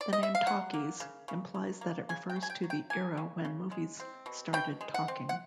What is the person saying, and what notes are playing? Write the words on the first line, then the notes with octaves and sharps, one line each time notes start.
The name talkies implies that it refers to the era when movies started talking.
D5
D#5
E5
F5
F#3 F#5
A#3
C#3
C#3
F#3
A#3
C#3 G#5
G5
C#3
G#5
G5
F#3
G5
A#3 G#5
C#3
C#3
G#3
C4
B2
B2 G5
G#3
F#5
C4
F#5